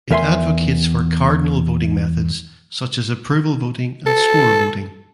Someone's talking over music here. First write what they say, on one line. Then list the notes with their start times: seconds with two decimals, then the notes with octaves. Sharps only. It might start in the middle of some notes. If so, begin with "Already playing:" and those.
It advocates for cardinal voting methods such as approval voting and score voting.
0.10 E2 A#4 E5 G#5 C6
4.06 A4